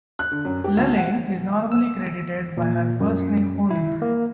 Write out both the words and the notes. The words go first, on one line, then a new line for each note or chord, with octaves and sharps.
Lalaine is normally credited by her first name only.
F#6
D3
F#2
G4
D2
F#5
E6
A#2
F#2
E4
A#3